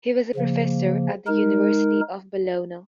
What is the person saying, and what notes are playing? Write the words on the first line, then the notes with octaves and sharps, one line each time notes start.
He was a professor at the University of Bologna.
C#3 F3 A#3
G#3 D#4 A#4